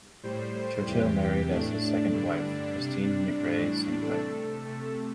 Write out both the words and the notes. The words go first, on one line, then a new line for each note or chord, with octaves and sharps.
Churchill married as his second wife Christine McRae Sinclair.
A2 G3 C5
C5
E2 C3 E3 G4
A2 A3 D4
G2 D3 G3
C3 G3
A2 E3 G3
C3 A3 A4
C3 A3 A4